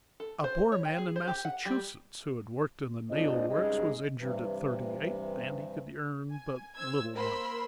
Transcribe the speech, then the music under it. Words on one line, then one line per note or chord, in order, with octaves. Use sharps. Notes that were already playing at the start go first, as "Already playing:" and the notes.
A poor man in Massachusetts who had worked in the nail-works was injured at thirty-eight, and he could earn but little money.
A4
C5
C#5
G5
G#4
C5
G4
F#5
G3
G#2 C4 D4 F4 D5 D#5
G2 C#3 G#3 D#4 D#5
G2 C3 E3
G#5
C5 E6 G#6
A#3 A#4 C5 B5 C6 E6